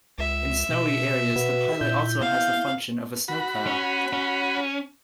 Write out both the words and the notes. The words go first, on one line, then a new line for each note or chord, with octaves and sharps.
In snowy areas the pilot also has the function of a snowplow.
C#2 E5
B2
B2 F#4 B4
A#2 E4 G6
B3 F5
F#4 B5
C#4
C#4